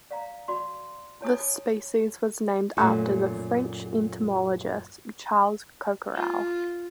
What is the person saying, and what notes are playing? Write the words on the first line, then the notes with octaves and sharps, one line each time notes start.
This species was named after the French entomologist Charles Coquerel.
D5 F5 A#5
F#4 D5 B5 C6
E4 C#5 G#5 D#6
F#2 A#2 A3 F#4
F4